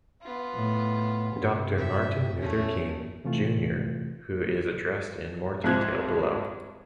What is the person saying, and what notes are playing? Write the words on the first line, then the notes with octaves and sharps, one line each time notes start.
Doctor Martin Luther King, Junior who is addressed in more detail below.
B3 F4
A2
G2 C3
E5
E2 A3 C#4
C3 E3 A3 F4
C2 G#2 F3 F#6 G#6